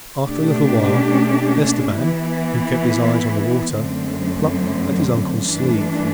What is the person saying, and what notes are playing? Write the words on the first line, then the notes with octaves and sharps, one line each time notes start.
After a little while, Esteban, who kept his eyes on the water, plucked at his uncle's sleeve.
B2 A3 D4 G4
E3 B3 E4
F#2 D3 A3 C4
G2 E3 A3 D4